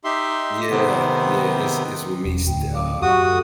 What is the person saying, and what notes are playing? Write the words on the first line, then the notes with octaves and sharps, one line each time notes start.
Yeah. Yeah. It's it's with me, st uh
D#4 G4 E5 C6
C3 D#3 B3 C4
E1
D2 A2 G5
F5 D6
F#2 F#4 G4 C#6 D#6
G4 A4